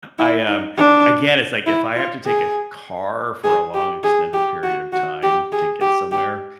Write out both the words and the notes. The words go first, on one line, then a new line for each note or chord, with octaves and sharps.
I, um Again, it's like if I have to take a car for a long, extended period of time to get somewhere,
E4
D#4
D4
E4
F4
G#4
G#4
G4
G#4
G4
F#4
F#4
G4
G#4
G4
G4